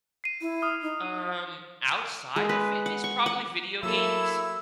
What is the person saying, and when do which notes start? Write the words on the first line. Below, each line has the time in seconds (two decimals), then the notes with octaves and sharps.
Um, outside of fitness, probably video games.
0.24 C7 D#7
0.41 E4
0.62 D#6 F6
0.82 D#4
2.36 G#3
2.49 B4
2.86 F#5
3.04 C#6
3.26 F#5
3.83 F#3 A#3 E4 G#4 A4 E6